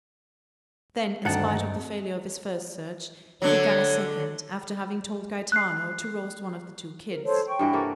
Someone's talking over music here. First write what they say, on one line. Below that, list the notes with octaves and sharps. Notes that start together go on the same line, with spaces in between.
Then, in spite of the failure of his first search, he began a second, after having told Gaetano to roast one of the two kids.
D2 G2 D#3 C4 D4 D#4 F#5 A5
D3 F#3 C#5
F#6 C7
A#4
A4 C5 C#5
G5 C#6
G2 E3 F#4
C3 A#3 A4